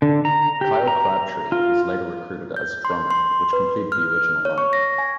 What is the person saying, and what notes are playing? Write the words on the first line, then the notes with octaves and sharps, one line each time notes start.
Kyle Crabtree was later recruited as drummer which completed the original lineup.
D3
A#5
G4
A#5
F4
G6
C6
C6
B4
F6
C#5
C#6
A#6
G#5